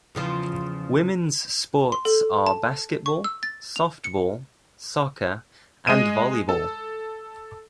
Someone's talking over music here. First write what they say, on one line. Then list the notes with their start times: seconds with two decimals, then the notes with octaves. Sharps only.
Women's sports are basketball, softball, soccer, and volleyball.
0.15 E2 C#3 F3
1.92 C6
2.05 A4
2.47 A5
3.06 C#6
3.24 E6
3.43 A6
3.76 F7
4.04 C#7
5.87 G#3 D#5 D#7
6.49 A4